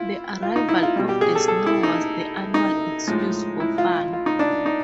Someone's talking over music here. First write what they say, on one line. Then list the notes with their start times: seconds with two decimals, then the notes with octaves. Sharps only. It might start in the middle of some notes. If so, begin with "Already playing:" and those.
The arrival of the snow was the annual excuse for fun.
Already playing: E4 F4
0.42 F4
0.56 D#4
0.69 E4
0.83 F4
0.96 B2 G3
1.09 G4
1.21 G#4
1.35 A4
1.48 A4
1.66 E4
1.83 D#4
2.54 D#4
3.07 A2 F3 G#3
3.60 E4
3.78 F4
4.13 F4
4.26 D#4
4.39 D4
4.66 D#4